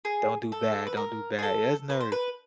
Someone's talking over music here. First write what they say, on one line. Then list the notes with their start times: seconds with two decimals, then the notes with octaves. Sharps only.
don't do bad, don't do bad." It's nerve
0.05 G#4
0.52 A4
0.87 B4
0.97 A#4
1.39 G#4
1.43 A4
1.90 B4
2.01 C5
2.12 B4